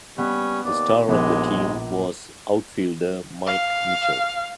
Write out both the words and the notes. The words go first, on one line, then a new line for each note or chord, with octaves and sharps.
The star of the team was outfielder Mike Mitchell.
G3 B3 C#4
D#2 D5
A#1 D#2 G#3 B3 D6
F5